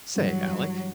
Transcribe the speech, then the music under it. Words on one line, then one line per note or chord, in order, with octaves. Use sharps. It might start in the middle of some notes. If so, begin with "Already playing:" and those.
"Say, Alec."
G2 E3 F#3 G3